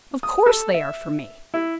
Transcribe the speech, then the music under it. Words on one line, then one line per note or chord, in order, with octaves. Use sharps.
Of course they are for me.'
D#6
A4
E5
E4